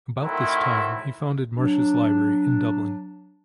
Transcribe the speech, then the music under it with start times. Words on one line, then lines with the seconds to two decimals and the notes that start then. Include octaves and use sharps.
About this time he founded Marsh's Library in Dublin.
0.22 A2 D#3 F#3 C4 E4
1.56 F#3 D4